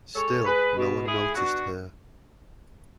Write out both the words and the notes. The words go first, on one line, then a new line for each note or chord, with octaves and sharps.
Still no one noticed her.
G#3 A4 C#5
G#3 G#4 B4
B2
G#3 E4 G#4
B2 D4 F#4